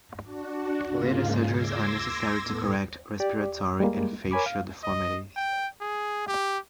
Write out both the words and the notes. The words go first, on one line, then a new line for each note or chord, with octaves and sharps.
Later surgeries are necessary to correct respiratory and facial deformities.
D4 F#4
G#2 C#3 G#3 A#3 F4
C6 D6 E6 G#6 A#6
A2 B3 A4
G4 D5
G3 G#3 A#3
A#4 C#5 G#5 B5 D6
F5
D#5
G5
G#4
G4